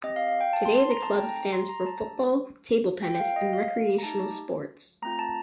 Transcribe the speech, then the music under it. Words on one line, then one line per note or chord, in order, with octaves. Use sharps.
Today the club stands for football, table tennis and recreational sports.
C4 G4 D#5
F5
F5
G5
A5
C6
C6
A#5
A3 C4 D#4 A4 A5
G5
A#5
A#5
C6
A#5
A5
A3 D4 G4
C4 F4 A4 G5
G5
F5
D#5
F5
A#5
A3 D#4 G4 A5
A3 C4 F4 A#5
A5